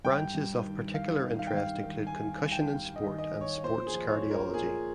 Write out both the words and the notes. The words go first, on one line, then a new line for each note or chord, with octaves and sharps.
Branches of particular interest include concussion in sport and sports cardiology.
G2 G5
G2
D#3
D#3 F5
D#3
F5
G5
G2 F5
D#3
G#5
D#3
G2
G5
G2
D#5
D#3
D#5
D#3
C#5
A#2 C5
G#4
F3
C#5
F3
A#4
A#2 G#4